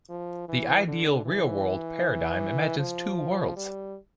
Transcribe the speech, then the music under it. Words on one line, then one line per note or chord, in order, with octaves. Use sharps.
The ideal-real-world paradigm imagines two worlds.
F3
E3
D3
E3
F3
G3